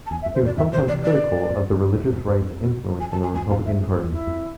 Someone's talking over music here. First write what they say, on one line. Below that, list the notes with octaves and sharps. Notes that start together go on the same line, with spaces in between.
He was sometimes critical of the religious right's influence on the Republican Party.
A5
E2 G#5
E5
F2
C5
E2
D5
E2 G#2 E5
B2 D3 C5
C3 E3 D5
D5
F2 A2
F2
E2 G#2
E2 G#2
F2
F2
G#5
A5
G#5
E2 G#2 G#5
E2 G#2 F5
E2 G#2 E5
F2 G#4
F2 F4
F2 E4
F2